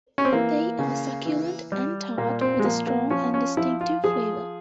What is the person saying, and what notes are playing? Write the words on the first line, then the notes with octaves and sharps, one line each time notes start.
They are succulent and tart with a strong and distinctive flavour.
C#4
C4
E3 A#3
C#3
E3
G3
A#2 A#3
C4
G#3
F3 A#3
A#3
F3 C#4
C#4
F3 E4
F4
F3 G#4